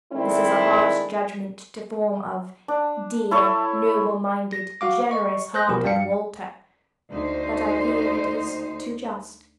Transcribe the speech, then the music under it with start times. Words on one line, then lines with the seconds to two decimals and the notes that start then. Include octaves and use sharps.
This is a harsh judgment to form of 'dear, noble-minded, generous-hearted Walter,' but I fear it is too just.
0.12 D#3 G#3 A3 C4 D4 E4
2.68 D4
3.31 E4 A4 C#5 C#6
4.53 A#6
4.81 F#4 F5 D6
5.11 D#5 C#6
5.54 C5 F#6 G6 A#6
5.68 B1 B2 F3 G4 A#4
5.84 G2 G3 D4 F5 C#7
7.11 D2 D#4 C5